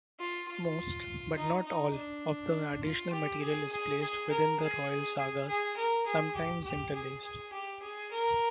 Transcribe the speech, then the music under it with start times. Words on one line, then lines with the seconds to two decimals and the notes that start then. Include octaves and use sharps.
Most-but not all-of the additional material is placed within the royal sagas, sometimes interlaced.
0.20 F4
0.49 F4
1.36 D#4
1.66 D#4
1.95 D4
2.84 F4
3.13 G4
3.42 G#4
3.72 G#4
4.01 G#4
4.31 A#4
4.60 G#4
5.18 G#4
5.48 G#4
5.77 A#4
6.06 G#4
6.36 G4
6.65 G4
6.94 G#4
7.24 G#4
7.53 G4
7.83 G#4
8.12 A#4